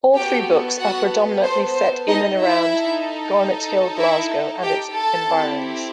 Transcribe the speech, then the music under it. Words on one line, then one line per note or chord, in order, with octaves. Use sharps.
All three books are predominantly set in and around Garnethill, Glasgow, and its environs.
B3 F#4 G4 A4 G5
F#4 F#5
C5
C5
D#4 D#5
E4 E5
D#4 A4
E4 E5
G4 G5
A4 A5
C4 E4 G4